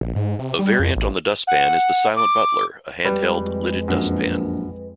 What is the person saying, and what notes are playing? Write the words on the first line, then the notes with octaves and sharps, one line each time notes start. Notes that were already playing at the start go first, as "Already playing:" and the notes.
A variant on the dustpan is the silent butler, a handheld, lidded dustpan.
A#1
G#2
C3
G3
F2
A1
F#5
D6
F2 G3 G#3 B4
A#1 F#2